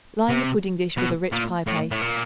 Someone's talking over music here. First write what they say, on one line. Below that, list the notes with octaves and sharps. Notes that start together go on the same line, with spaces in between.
Line the pudding-dish with a rich pie-paste.
C3
B2
A#2
A2
A2
A#2